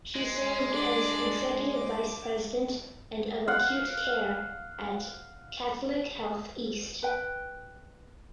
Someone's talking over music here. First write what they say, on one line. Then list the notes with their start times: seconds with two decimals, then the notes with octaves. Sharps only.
She served as Executive Vice President and of Acute Care at Catholic Health East.
0.15 G#3
0.70 D4 D5
1.73 D6
3.48 F5 F#5
7.03 B4 G5